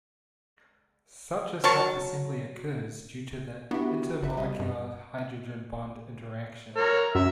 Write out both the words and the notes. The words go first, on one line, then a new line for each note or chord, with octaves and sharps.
Such a self-assembly occurs due to the inter-molecular hydrogen bond interaction.
F#3 A#4 A5 C#6
B3 D4 E4 F#4 G4
G#1 F#4 B4 E5
B2 G3 D#5
G2
A#4 C#5
F#2 E5